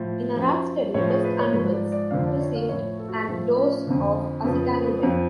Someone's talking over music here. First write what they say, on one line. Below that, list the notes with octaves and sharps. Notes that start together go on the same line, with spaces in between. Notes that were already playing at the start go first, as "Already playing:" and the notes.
In a rat study, test animals received an dose of acetaldehyde.
Already playing: A2 F3
F#2 F3
A2 F3 C#5
G#4
B4
C#5
G#2 F3 B4
D5
D5
F2 D3 F3 F5
D5
C#5
F5
A2 F3 C#5
A4
F#4
G#4
A2 F3 A4
C#4
F2 D3 F3
F2 C#3 F3 B3
B3
B3
F2 F3